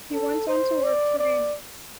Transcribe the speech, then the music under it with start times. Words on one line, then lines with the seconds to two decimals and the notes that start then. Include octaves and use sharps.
He went on to work for Gainax.
0.13 A4
0.48 C5
0.83 D5
1.19 D5